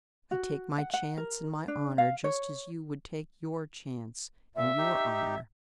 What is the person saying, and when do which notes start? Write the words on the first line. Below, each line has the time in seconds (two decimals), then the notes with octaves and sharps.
I take my chance and my honor just as you would take your chance and your honor.
0.31 F#4
0.78 F#5
0.94 F#5
1.17 A#4
1.68 D4
1.98 F5
2.24 C#5
4.56 A#2 E5
4.78 D#4 G4